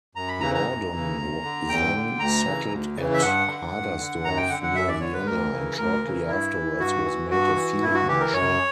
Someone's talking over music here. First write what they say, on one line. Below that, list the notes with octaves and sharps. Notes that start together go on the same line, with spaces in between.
Laudon then settled at Hadersdorf near Vienna, and shortly afterwards was made a field-marshal.
F#2 A#5
B5
C#3 E3 A#5
A#5
F#2
E3
C#3
E2
D3
E2 G5
D3
D2 A#5
C#3 E3
D2
C#3 E3
E5
G2 F#5
D3
G2
D3
F#2 A#5
G5
D3 F#5
F#5
F#2 E5
D5
D3 C#5
B4
D2 A#4
C#3 E3
D2 A#4
C#3 E3
G2 E4
E3
G2 F#4
E3
G2 F#4
E3
G2 E4
F#4
E3 G4
A#4
F#2 C#5